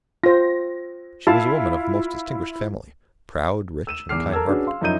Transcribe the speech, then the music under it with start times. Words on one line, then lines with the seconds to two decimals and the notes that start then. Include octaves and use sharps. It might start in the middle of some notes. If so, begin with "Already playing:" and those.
She was a woman of most distinguished family, proud, rich, and kind-hearted.
0.24 F4 C5 A#6
1.27 E4 F4 F5 A5
3.87 E6 D#7 E7
4.09 E2 D6 F6 C7
4.32 A4 A#4 A5 E6 G#6
4.47 C#4 D4 F#4 G#4 B4
4.67 F5 C6
4.81 F#2 F3 D#4 E4 G6 D#7